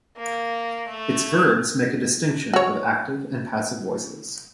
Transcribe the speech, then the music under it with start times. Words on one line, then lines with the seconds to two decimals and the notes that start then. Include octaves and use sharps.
Its verbs make a distinction of active and passive voices.
0.17 A#3
0.88 A3
2.53 F#4 C#5